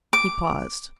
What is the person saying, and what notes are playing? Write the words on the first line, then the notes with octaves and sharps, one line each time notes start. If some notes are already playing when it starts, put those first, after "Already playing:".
He paused.
D6